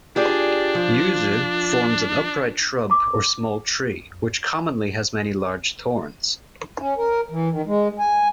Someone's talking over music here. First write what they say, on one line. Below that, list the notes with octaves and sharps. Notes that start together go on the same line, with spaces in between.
Yuzu forms an upright shrub or small tree, which commonly has many large thorns.
D4 F4 G4 G#4 D5
F3
A#5 D6
C#4
A#4
E3
D#3
G#3
G#5